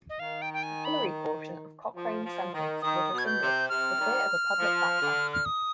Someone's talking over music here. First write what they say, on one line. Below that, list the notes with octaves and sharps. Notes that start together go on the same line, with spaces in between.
The pillory portion of Cochrane's sentence was rescinded, for fear of a public backlash.
D#5
D#3 F5
G5
G5
G#5
B5
F3
F3
D#3
D#3 D#6
B2
G#6
G6
C3
C3 F6
D#3 G3
F3
D3
F6
D#6